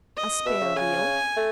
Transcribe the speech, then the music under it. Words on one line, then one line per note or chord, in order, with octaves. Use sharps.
"A spare wheel?"
D#5
B2 E5
C#3
C#3 G#5
A3